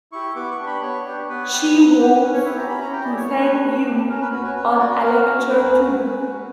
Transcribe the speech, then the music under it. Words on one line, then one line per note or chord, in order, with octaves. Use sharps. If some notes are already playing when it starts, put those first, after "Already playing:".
She wants to send you on a lecture tour.
E4 G4 C#6
B3 D6
C#6
D4 G4
B5
B3 C#5
D4 G4
B3 B4
D4 G4
B3
D4 G4
C#4 B4
C#5
E4 G4 E5
A#5
C#4 B5
A#5
E4 G4 G5
D5
B3 C#5
D4 G4 B4
B3
D4 G4
C#4 A#4
B4
F#4 B4
C#5
C#4 B4
C#5
F#4 D5
B4
A#3 A#4
C#4 F#4
A#3 B4
C#4 F#4
A#3
C#4 F#4